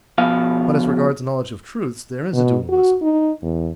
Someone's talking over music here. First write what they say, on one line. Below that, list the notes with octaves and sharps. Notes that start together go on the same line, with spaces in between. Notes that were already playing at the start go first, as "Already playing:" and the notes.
But as regards knowledge of truths, there is a dualism.
B2 F3 F5
B2
F#4
D#4
E2